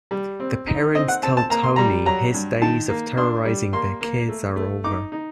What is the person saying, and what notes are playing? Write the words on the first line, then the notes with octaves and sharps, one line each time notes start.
The parents tell Tony his days of terrorizing their kids are over.
G3
C4
D#4
C4 D#5
F#5
C4 A5
A5
A#3 A#5
C6
G3 A#5
F#3 A#5
G2
D#3 A5
A#3
D4 C6
G3
A#3 C6
A#3
A3
A3
D#4 D6
D#4